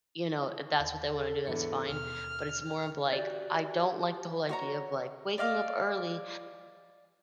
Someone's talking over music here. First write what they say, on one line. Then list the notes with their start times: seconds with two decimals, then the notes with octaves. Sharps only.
you know, if that's what they wanna do, that's fine, but it's more of, like, I don't like the whole idea of, like, waking up early,
0.78 D#2 C6
1.12 A4
1.46 E2 G#2 D3 C#5 C#7
1.89 D#2 B2 F6
3.13 F#4 G4 D5
4.49 F#4 C#5 A#5
5.38 D5 D#5 F5 D6